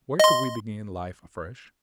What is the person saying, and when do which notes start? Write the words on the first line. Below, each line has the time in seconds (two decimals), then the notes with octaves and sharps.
Where could we begin life afresh?
0.20 D#5 C6